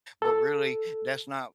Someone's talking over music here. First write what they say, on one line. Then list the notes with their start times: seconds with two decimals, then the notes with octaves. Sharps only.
but really that's not
0.22 A4